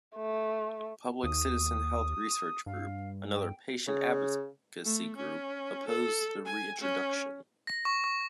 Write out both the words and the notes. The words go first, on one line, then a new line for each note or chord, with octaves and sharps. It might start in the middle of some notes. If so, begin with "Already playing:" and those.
Public Citizen Health Research Group, another patient advocacy group, opposed the reintroduction.
A3
D#2 D#6
G2 F5
G5
C#3
A3
C#4
A4
G#5
C#4
A#6
C#6
C#6